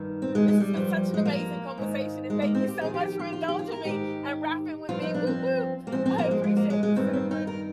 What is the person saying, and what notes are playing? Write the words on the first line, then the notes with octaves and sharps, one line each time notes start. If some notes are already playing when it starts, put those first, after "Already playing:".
This has been such an amazing conversation, and thank you, so, much for indulging me and rapping with me! Whoop whoop! I appreciate you so much,
Already playing: G2 D#3
C4
G#3
G#3
G3
G2 F3
G#3
A#3
G#2 D#3
G#3
A#3
C4
G4
F2 D#3 G#4
G4
G4
G4
F4
G4
F4
A#4
G#2 D#3 G4
G2 F3 F4
D#4
D4
C4
A#3
G#2 F3 C4
C4
A#3
G#3
G#3
A#3
G#3
G#3
G2 D#3 C4
C4
D#4
A#4